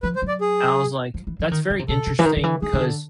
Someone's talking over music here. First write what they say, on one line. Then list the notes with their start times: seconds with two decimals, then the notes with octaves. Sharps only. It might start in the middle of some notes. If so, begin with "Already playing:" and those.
I was, like that's very interesting 'cause
0.03 F3 B4
0.16 C5
0.22 F#3
0.28 D5
0.41 G#4
1.14 F3
1.27 E3
1.39 F3
1.51 D#3
1.70 C#3
1.79 C3
1.88 B2 A4
2.07 C3
2.19 E3
2.25 D#3
2.36 D#3
2.44 E3
2.62 D#3 G#4
2.73 D#3
2.81 D3